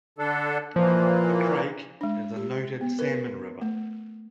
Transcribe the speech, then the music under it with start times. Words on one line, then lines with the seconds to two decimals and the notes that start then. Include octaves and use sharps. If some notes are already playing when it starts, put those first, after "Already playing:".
The Crake is a noted salmon river.
0.18 D3 D4 A4
0.76 A#2 E3 F3 A#3
2.01 G#3 D4
2.36 G4
2.81 B3
2.99 A#4 B4
3.61 A3